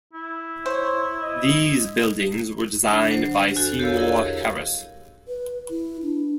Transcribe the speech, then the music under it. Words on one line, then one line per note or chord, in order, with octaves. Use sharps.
These buildings were designed by Seymour Harris.
E4
C5 C#5
D#5
D3 D4
F#3 C5 F#5
E2 F#4 A4
G4 A4 A#4 C#5 F5 E6
E4 G#4 A#4 C#5 D#5 F5
B4
E4
D4